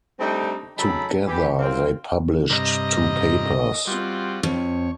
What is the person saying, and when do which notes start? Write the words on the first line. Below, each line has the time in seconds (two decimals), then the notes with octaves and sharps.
Together they published two papers.
0.20 G3 A3 C4 D4 D#4
0.77 C#3 F#3 D#4 A4 A5 B5
1.27 E3 G4 B5
1.59 F#2 C4 F5
2.50 G2 C3 D#5 A#5
3.87 G3 C4 F4 F#4
4.43 F2 C#5